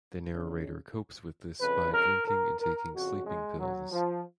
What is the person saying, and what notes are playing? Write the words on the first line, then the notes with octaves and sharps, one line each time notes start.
The narrator copes with this by drinking and taking sleeping pills.
F2 C#3
F2 C#3 B4
A#4
A#4
A#4
F2 C#3 F#4
G#3
F#3
F3